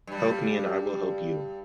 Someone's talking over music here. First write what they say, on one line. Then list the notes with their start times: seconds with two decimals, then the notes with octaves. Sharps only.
Help me and I will help you.
0.07 G2 G3